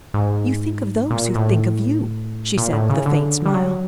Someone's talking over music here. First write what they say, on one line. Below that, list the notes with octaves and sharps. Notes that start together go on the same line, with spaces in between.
"You think of those who think of you," she said with a faint smile.
G#2
A#2
A2
A#2
A2
C#3
D3
G3
F#3